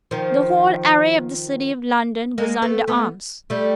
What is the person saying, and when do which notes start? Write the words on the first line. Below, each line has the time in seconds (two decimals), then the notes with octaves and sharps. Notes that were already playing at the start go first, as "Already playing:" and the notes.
The whole array of the City of London was under arms.
0.11 D#3 F3
2.38 G#3 A#3
2.62 A3 B3
2.88 A3 B3
3.50 G3 A3